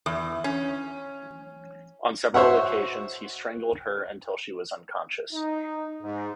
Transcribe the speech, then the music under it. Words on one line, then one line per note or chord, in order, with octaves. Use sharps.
On several occasions, he strangled her until she was unconscious.
E2
C#4
F#4 C5 C#5 E5 F#5
D#4
G#2